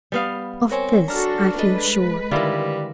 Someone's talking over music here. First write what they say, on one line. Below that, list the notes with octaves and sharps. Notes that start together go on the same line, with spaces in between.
Of this I feel sure.
G3 B3 F5
C4 A#4 C#5 G#5
D4 F#4 A4 A#5 F6
G#3 A4 B4 D#5
D3 D#3 G3 E4 F4 A#4